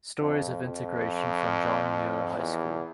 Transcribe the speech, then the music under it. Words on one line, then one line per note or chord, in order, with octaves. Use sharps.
Stories of Integration from John Muir High School.
F2
F2
E2